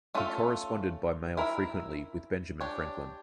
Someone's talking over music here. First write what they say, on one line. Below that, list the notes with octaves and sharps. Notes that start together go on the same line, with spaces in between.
He corresponded by mail frequently with Benjamin Franklin.
A3 C#4 F4 A4
E4 A#4 E5
D4 G4 C#5